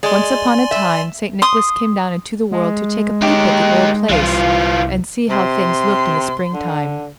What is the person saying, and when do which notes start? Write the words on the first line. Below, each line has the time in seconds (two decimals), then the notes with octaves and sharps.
Once upon a time St. Nicholas came down into the world to take a peep at the old place and see how things looked in the spring-time.
0.03 G#3 D5 G#5 C6
0.71 E5
1.42 C6 D#6
2.52 G#3
3.23 D#4 G4
4.10 C2 E3 F4
5.30 C3 C6
6.53 D3